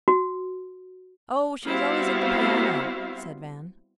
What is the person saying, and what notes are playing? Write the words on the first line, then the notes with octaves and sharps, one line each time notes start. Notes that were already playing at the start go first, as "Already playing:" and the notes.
"Oh, she's always at the piano," said Van.
F#4
G3 B3 C4 E4 F#4 F5